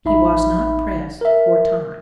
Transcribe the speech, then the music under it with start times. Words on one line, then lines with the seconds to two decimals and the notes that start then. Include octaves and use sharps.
He was not pressed for time.
0.05 A1 D#4 E5 B5
1.21 A#4 E5